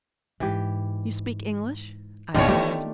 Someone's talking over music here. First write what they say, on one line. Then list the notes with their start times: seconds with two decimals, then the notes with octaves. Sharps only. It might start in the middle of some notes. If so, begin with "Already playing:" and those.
"You speak English?" I asked.
0.40 G#2 E3 G4
2.34 G1 E2 B2 D#3 E3 D4 F4 C#5
2.49 A3 B3 G4